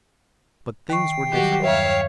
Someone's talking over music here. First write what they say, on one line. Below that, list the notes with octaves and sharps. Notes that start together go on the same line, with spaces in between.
But things were different now.
D#3 G5 C#6 C7
D#3 F#3 G3 F#4 G4
E2 G2 C#5 E5 F5